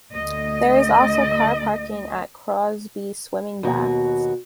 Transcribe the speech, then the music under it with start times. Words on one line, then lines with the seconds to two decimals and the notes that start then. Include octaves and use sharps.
There is also car parking at Crosby Swimming Baths.
0.14 D2 D#5
3.63 D#2 B2 F#4